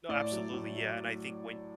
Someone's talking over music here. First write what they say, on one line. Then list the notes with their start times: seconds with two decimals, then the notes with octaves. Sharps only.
no, absolutely, yeah, and I think when
0.09 A2 D5
0.32 F#3
0.53 A2
0.76 F#3